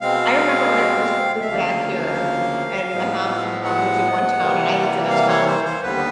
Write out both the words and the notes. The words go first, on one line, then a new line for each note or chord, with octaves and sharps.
I remember when I first moved back here and my mom, um, lives in one town and I lived in a town,
B2 G#3 C4 F5
E5
D2 C#3 F3 A#3 F5
A2 F3 G#3 B3
F#5
C3 E3 G3 A#3
F5
C#5
C5
C5
D#2 D3 G3 B3 B4